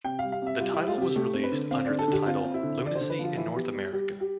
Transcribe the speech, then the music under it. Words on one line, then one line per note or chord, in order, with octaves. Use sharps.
The title was released under the title Lunacy in North America.
C3 G5
G3 F5
F5
C3 E5
G3 F4
E4
G3
F4
C3 G4
A3 G4
C4
B4
D3
C4 F5
D3 D5
A4
D3 G4
C4 F4
C4
E4
D3
D3 D5
C5
D3
B4
F3 F4
E3 E4
B3 G4
G3
G3 G4
G3
G4